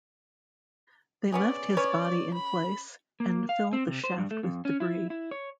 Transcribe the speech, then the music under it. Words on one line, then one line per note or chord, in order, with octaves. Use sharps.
They left his body in place and filled the shaft with debris.
B3 C#4 G#4 D5
C#4 B4 C#5
B5
A#3
F5
C4
C3
C5
G2
A3
F2
C#4
E4
E4
C#5